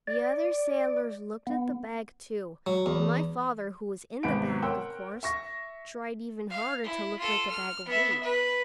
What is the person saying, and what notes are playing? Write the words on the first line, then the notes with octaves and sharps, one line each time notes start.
The other sailors looked at the bag too, and my father, who was in the bag, of course, tried even harder to look like a bag of wheat.
D5
B3
F#3
E2
G#1 C3 B3 F#5 B5 D7
A#4 C#5 F#5 G5 C6 E6
E5 C#6 A#6
F5
E4
F4 A4
F6
B3 E5
B4